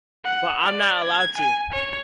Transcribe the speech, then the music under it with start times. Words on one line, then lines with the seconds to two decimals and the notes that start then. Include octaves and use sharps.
But I'm not allowed to.
0.24 F#5
0.65 D5
1.04 G#6
1.37 G#5
1.73 C#5